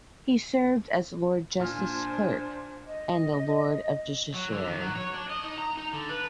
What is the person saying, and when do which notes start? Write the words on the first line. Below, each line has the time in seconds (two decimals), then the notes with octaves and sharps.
He served as Lord Justice Clerk and a Lord of Justiciary.
1.60 A#2 D4 C5 G#5 F6
2.87 D#5
4.34 F#3
4.52 D3
4.67 D#3
4.80 F#3
4.96 C#5
5.14 D4
5.30 D#5
5.43 D#4
5.58 A#5
5.77 D#4
5.93 D3
6.09 B4